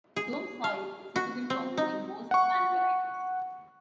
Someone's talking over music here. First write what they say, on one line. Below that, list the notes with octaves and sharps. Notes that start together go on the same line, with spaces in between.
Loam soil is suitable for growing most plant varieties.
G#4
F5
F#4
C4
D#4
F#5 C#6